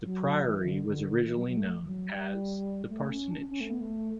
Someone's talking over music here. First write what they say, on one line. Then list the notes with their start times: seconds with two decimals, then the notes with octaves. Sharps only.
The priory was originally known as The Parsonage.
0.04 F#3
0.46 E3
0.65 D3
0.86 D3
1.26 E3
1.36 F#3
1.47 F#3
1.57 A3
1.83 E3
1.88 F#3
2.09 G3
2.89 A3
3.09 C#4
3.30 D4
3.40 C#4
3.50 C#4
3.61 A3
3.70 B3
3.80 A3